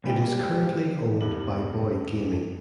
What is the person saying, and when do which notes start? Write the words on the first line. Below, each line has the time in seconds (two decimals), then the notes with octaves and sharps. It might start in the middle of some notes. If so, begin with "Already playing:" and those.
It is currently owned by Boyd Gaming.
0.04 G#2 G3 G4 G5
1.21 E2 G2 C3 F#7